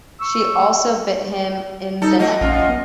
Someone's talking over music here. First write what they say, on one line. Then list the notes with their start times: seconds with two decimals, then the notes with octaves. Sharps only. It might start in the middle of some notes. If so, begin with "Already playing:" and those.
She also bit him in the neck.
0.20 C#6 E6
2.02 G3 D#4 A4
2.19 A3 F#4 D#5
2.41 A#1 F#2 F4
2.69 B3